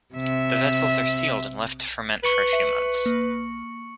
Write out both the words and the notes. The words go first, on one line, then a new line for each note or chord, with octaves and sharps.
The vessels are sealed and left to ferment for a few months.
C3 E5
B4 C#6 C#7 F#7
E5
A#3